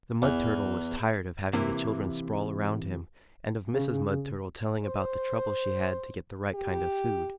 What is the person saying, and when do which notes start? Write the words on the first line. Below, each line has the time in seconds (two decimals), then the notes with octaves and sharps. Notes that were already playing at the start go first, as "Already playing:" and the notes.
The Mud Turtle was tired of having the children sprawl around him, and of Mrs. Mud Turtle telling about the trouble she had to get the right kind of food.
0.22 E2
1.53 C3 E3 A#3
3.74 C#3
4.85 C5
6.55 G4